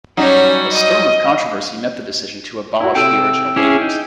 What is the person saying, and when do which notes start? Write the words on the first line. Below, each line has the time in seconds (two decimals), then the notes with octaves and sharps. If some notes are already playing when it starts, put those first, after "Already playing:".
A storm of controversy met the decision to abolish the original papers.
0.17 F#3 G3 C#4 D#4 C#5
0.71 D#5
2.80 E4 F#4
2.95 C3 E4 A4 G5 E6 D7
3.56 C#4 E4 G#4 D6
3.81 D#4